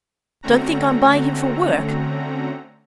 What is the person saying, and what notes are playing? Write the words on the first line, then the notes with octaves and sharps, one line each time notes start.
Don't think I'm buying him for work.
D3 A3 C4 C#4 F#4 A#5